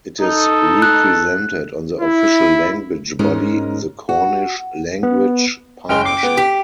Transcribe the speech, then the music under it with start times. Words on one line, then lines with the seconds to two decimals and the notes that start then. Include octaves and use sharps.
It is represented on the official language body, the Cornish Language Partnership.
0.21 D#4 A4
0.82 F#6
1.99 E4
3.19 G#2 G#3 C#4 D#4 A#4
4.09 F#4
5.03 B3
5.89 F#1 G#3 G5 F6 D7 G7
6.05 D6 C7
6.23 B3
6.37 G4 B6